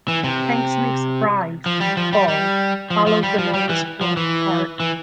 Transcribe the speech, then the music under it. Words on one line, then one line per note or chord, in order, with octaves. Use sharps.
Pecksniff's rise and fall follows the novel's plot arc.
E3
C3
F3
G3
F3
G3
G3
F3
F3
G3
F3
G3
E3
F3
E3
E3